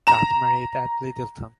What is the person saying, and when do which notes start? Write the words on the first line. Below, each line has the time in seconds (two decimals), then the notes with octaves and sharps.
Got married at Lyttleton.
0.07 A#5 E7